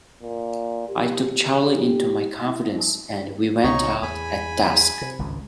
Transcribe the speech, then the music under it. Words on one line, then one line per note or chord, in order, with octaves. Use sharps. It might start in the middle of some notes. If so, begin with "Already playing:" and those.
I took Charley into my confidence, and we went out at dusk.
A#2
G4
G4
E4
C#2 C3 D#4 C#5 C#6
E2 G#5 B5
C3
G#1 C#2 G2